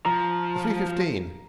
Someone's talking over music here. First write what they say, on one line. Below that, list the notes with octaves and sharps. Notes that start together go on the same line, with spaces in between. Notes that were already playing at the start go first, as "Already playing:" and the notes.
'The three-fifteen.'
F3 A#5